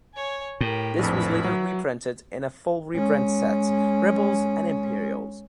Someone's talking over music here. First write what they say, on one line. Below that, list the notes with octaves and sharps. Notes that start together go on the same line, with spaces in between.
This was later reprinted in a full reprint set, Rebels and Imperials.
C#5 G#5
A2 G4 A#4
A#1 F2 E4 B4
F#3
G#3 C#4